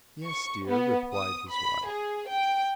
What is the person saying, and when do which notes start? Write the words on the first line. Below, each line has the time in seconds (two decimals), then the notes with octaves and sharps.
"Yes, dear," replied his wife.
0.25 C#6
0.66 B3
1.12 D#6
1.50 B5
1.87 G#4
2.27 G5